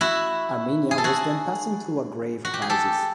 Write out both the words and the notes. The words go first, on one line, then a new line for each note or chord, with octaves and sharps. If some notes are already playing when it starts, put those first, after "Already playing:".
Armenia was then passing through a grave crisis.
E4 F#4
G#4
A4
F#4 G#4
F#4
G4
G#4
G4 A4